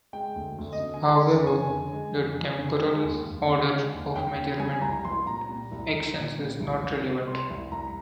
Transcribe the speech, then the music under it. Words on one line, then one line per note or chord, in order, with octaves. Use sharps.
However, the temporal order of measurement actions is not relevant.
G#3 G5
D2
D2
D#5
D3
G#5
G#3 A#5
F2
F2 G#5
D3
G#3
F2
F2
D3
G#3
D#2
D#2
D3
G#3
D#2
D#2 G5
D3
G3 G#5
C2 A#5
C2 C6
A#2 A#5
G3
C2
C2
A#2
G3
C2
C2
C3
G3 C6
C2
C2 A#5